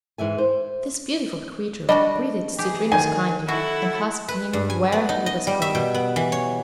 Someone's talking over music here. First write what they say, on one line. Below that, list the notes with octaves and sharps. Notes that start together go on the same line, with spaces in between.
This beautiful creature greeted Citrinus kindly and asked him where he was going.
G#2 E3 E5 G#5
C5
G3 D4 F#4 D#5
E3 G4 G#4
D#3 G#5
E4 F#4 A4 F#5
B4
G2
G#5
B3
D#4
D#5
G3
E5
B2
B3
E3
C#5